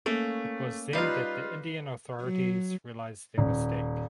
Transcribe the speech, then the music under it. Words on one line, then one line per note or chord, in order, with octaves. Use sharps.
It was then that the Indian authorities realised their mistake.
A3 A#3 C#4
G3 D#4 F4 B4 F5
F#3
D#1